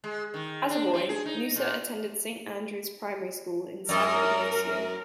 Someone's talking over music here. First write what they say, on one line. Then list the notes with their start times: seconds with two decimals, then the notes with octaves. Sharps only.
As a boy, Musa attended Saint Andrew's Primary School in San Ignacio.
0.04 G#3
0.34 D#3
0.70 D4
0.93 C4
1.09 G#4
1.26 D#4
1.56 A#2
3.89 F#2 A#4